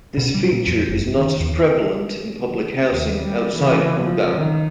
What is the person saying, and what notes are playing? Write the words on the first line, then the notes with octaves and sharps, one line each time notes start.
This feature is not as prevalent in public housing outside Hougang.
B2
G3
A#2
F2
F#1
G1
D#3
E2
D#2
G3
C#3 E3
F3
D#3 D#4